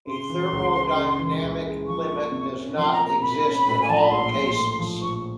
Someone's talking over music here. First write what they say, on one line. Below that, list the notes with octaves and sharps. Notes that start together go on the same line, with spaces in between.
A thermodynamic limit does not exist in all cases.
C#3 C6
E3
C#2
G#3
C#3
E3
C#2
G#3
F3 C#6
A#3
C3
C#4
F3 C6
A#5
A#3
A#5
C3 B5
C#4
A2
G#5
F3 A5
A#5
B5
A#1 C6
A#1
A2
F3
A#1 C#6